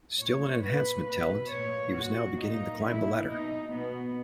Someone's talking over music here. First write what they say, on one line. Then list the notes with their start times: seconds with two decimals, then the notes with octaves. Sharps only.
Still an enhancement talent, he was now beginning to climb the ladder.
0.19 A#2 C#5
0.63 A#2 B4
1.07 B2 B4
1.51 A#2 C#5
1.95 A#2 F#4
2.39 A#2 D#4
2.84 A#2 E4
3.27 B2 D#4
3.71 B2 B3